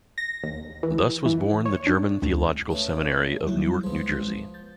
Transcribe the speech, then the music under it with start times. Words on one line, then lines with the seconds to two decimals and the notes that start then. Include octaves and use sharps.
Thus was born the German Theological Seminary of Newark, New Jersey.
0.18 A#6
0.44 D#2
0.83 E3
1.26 E3
1.66 C#5
1.87 D4
2.22 D2
2.70 C#3 A3 B3
3.47 F#3 G3 E4
3.83 C#2 F3 G#3 B3
4.54 G6 A6